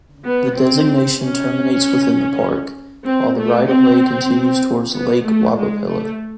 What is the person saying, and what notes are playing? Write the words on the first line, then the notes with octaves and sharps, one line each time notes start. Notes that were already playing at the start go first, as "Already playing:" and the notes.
The designation terminates within the park, while the right-of-way continues towards Lake Wappapello.
B3
C4
C#4
C4
A3
C4
B3
A3
G#3
A3